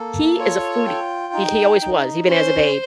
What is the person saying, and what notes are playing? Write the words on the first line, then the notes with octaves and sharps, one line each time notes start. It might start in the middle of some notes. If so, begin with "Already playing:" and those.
he is a foodie. He he always was, even as a babe.
Already playing: A#3 A4
F4 C#5
G5
D#4
D#4
C#4 C5